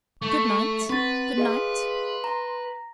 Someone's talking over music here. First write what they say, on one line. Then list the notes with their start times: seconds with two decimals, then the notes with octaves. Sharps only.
Good-night. Good-night.
0.22 A3 C#6
0.89 C4 B4 C6 A6
1.38 G#4 D#5 F5 C6
2.24 A#5